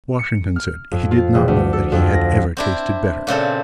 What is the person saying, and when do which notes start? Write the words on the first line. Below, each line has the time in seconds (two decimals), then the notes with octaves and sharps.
Washington said he did not know that he had ever tasted better.
0.19 C#7
0.56 F6
0.92 F2
1.11 F4
1.35 E1
1.48 D2
1.73 A4
1.92 F2
2.13 A#6
2.57 C4 D4 E4
3.27 A#2 C#3 C4 A4